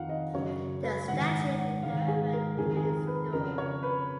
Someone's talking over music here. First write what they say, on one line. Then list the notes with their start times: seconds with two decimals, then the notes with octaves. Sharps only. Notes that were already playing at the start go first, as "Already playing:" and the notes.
The statue did however remain stored.
Already playing: F2 D#3 F5 F#5
0.09 D#5
0.33 F#2 C#3 C#5
0.84 B4
1.08 G#2 D#3 F#5
1.59 F#5
1.83 G#2 D#3 F5
2.08 G#4
2.33 A#4
2.57 F2 D#3 G#4
2.77 G#4
2.83 A#4
3.07 B4
3.33 F2 C#3 A#4
3.58 C#5
3.83 B4